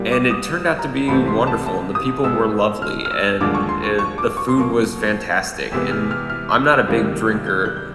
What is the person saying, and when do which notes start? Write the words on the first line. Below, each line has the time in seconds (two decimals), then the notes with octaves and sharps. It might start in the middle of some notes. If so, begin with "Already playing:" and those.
and it turned out to be wonderful, and the people were lovely, and, eh, the food was fantastic, and I'm not a big drinker,
Already playing: C2 A#2 G3
0.12 D6
0.31 D#6
0.79 A#5
1.08 C2 C3 E3 A3 C4 B5
1.28 C6
1.47 A5
1.66 A5
1.95 D#6
2.24 B2 G#3 B3 E6
2.82 F6
3.05 F6
3.11 E6
3.41 D#2 D3 F3 G#3 D6
3.55 C#6
3.69 C6
3.83 C#6
3.99 C#6
4.18 D6
4.37 C#6
4.48 C6
4.56 B2 F#3 A#3 C#6
5.72 E2 C3 E3 G#3 B3 E6
5.91 F6
6.11 F6
6.30 F6
6.88 C#2 C3 D#3 G3 A#3
7.46 G6
7.65 F#6
7.76 G6